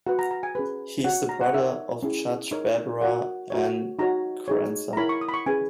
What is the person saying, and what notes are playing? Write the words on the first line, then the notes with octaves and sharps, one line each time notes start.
He is the brother of Judge Barbara Ann Crancer.
F#4 B4 F#5
A#5
A#5
G#5
C#4 G#4 B4
F#4 C#5 F#5
A#5
F#5
D#4 A#4 C#5 E5
C#4 E4 G#4
D#4 A#4 C#5
F#4 A#4 C#5 F#5
F#4 A#4 C#5
D#4 F#4 C#5 A#5
D#4 G#4 C#5
A#5
E4 A#4 C#5 B5
C#6
D#6
B5
C#6
C#4 G#4 B4 G#5